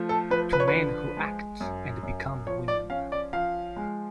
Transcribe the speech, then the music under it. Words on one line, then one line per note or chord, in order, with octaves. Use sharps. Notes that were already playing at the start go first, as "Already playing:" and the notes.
To men who act and become women.
Already playing: F3 A3
A4
F3 B4
B4
C#5
B4
D3
G#3
F#2
F#2
F3 C#5
D5
C#4 F5
D5
F3 F5
G#3